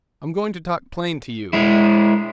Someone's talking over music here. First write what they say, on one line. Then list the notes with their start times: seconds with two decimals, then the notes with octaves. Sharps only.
I'm going to talk plain to you.
1.53 G#3 E4